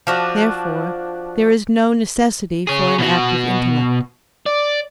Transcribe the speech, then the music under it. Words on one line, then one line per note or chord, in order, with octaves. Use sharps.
Therefore there is no necessity for an active intellect.
F3 D4 F#4
G#4 C#5
B2 F#4
D5